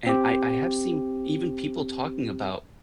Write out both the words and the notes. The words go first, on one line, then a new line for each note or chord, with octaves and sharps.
And I I have seen even people talking about,
C4 G4